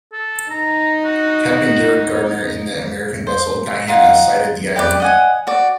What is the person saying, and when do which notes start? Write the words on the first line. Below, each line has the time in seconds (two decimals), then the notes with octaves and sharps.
Captain Jared Gardner in the American vessel "Diana" sighted the island.
0.13 A4
0.51 D#4 A#5
1.05 F#4
3.27 C5
3.88 D#4 F4 F#5
4.76 G4 B4 D5
5.00 D#5 F#5 G#5
5.47 F#4 D5